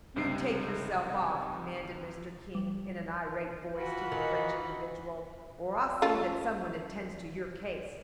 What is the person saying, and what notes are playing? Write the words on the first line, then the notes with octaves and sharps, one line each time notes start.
"You take yourself off," commanded Mr. King, in an irate voice to the French individual, "or I'll see that some one attends to your case."
C#2 G2 C3 D#4 C7
G3
E3 F4 F#4 B5
D#3
C#4 F4 A4